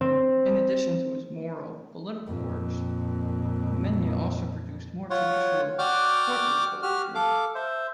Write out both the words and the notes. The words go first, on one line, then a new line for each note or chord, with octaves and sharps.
In addition to his moral-political works, Mena also produced more traditional courtly poetry.
C4
F2 A#2
F4 C#5 F#5
F#4 D5 F#5 G5 D6 F6
F#4 G4 F6
A4 F5 D6
C5 E5